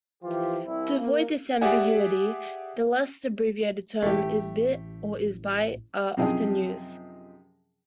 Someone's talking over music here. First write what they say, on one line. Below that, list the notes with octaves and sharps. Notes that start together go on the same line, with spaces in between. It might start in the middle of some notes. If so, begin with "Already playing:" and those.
To avoid this ambiguity, the less abbreviated terms "lsbit" or "lsbyte" are often used.
E3 F3 F4 G4
C2 E4
A#3
G4 G#4 D5 E5 F#5 G#5
A1 A3 G4
F#2 C3 F3 D#4 G#4 G5